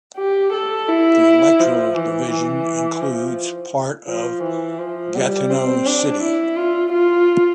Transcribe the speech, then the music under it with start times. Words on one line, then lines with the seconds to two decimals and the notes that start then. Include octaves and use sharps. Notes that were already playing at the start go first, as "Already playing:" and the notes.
The electoral division includes part of Gatineau city.
0.17 G4
0.53 A4
0.88 E4
1.60 F3
1.95 E3
2.31 E3
3.01 F3
4.08 F3
4.43 E3
4.79 F3
5.15 G3
5.50 C4
5.86 D4
6.22 E4
6.56 F4
6.92 F4